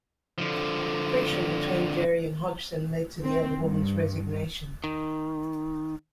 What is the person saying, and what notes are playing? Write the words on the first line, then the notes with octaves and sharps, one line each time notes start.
Friction between Gerrie and Hodgson led to the elder woman's resignation.
D3 F3
C4
G2
D#3